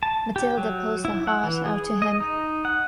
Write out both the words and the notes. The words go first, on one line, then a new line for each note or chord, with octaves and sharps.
Mathilde pours her heart out to him.
A5
G4
F#3
E4
F#5
E3
G#4
D#5
D#4
F#5